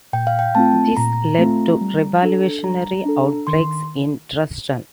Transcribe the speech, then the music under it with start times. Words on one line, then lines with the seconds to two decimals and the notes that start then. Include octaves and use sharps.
This led to revolutionary outbreaks in Dresden.
0.13 A#2 G5
0.27 F5
0.39 G5
0.55 A3 C4 F4 A5
0.97 A#2 A#5
1.38 A3 C4 F4
1.81 G3
2.22 D4 A4
2.64 G3 A#5
3.05 D4 A4
3.47 D#3 C6